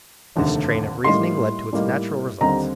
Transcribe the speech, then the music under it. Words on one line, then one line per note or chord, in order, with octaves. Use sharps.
This train of reasoning led to its natural results.
F1 D#2 D3 A3
A2 G3 A#3 D#4 C6
A2 G3 A#3 D#4
D#2 D3 G3 C4 D#4 A#5